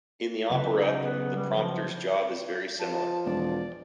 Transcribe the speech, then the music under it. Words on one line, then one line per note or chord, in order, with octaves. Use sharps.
In the opera, the prompter’s job is very similar.
C#3 F#3 B4
D#4 A#4 B4 F#5
B3 F#4 G#4 B4
G3
F3
F3 A5
E1 D5